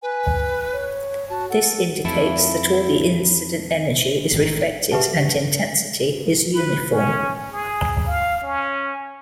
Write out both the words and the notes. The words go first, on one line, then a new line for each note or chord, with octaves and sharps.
This indicates that all the incident energy is reflected and intensity is uniform.
B4 G#5
C#5
F#4 A5
A4 F#5
F2 E4 A4 E5
G#1 A2 D#3
G4 B4 E5 F#5 A5
B4
C#4
G#4
F5
C#4